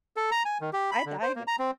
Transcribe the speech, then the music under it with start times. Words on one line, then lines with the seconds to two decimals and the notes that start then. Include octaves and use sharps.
I I
0.16 A4
0.31 A#5
0.45 G#5
0.61 D#3
0.73 G4
0.91 B5
1.06 D3
1.23 C5
1.36 A#3
1.47 A#5
1.59 C4